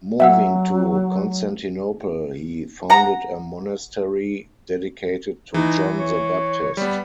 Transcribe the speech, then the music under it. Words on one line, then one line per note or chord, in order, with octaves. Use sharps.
Moving to Constantinople, he founded a monastery dedicated to John the Baptist.
F#3 E5 F#5 E6
F#5 A#5
E3 D#4
C#5
G3 B3